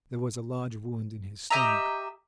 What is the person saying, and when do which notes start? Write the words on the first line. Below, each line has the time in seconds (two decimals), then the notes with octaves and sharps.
There was a large wound in his stomach.
1.50 G4 D#5 E5 A#5